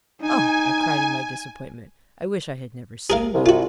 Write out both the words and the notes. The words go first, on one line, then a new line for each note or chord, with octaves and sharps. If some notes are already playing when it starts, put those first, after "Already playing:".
"Oh," I cried in my disappointment, "I wish I had never seen you."
D#4 G#5
G#4 A#4 F5
C2
F4 F#4